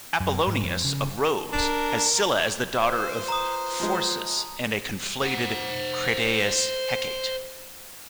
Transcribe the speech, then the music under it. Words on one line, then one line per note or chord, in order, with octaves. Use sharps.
Apollonius of Rhodes has Scylla as the daughter of Phorcys and a conflated Crataeis-Hecate.
F#2
G#2
F2
C#3
D4 A#4
F4 B4 C5
A#5 D#6
F3 G#3
C5 F#5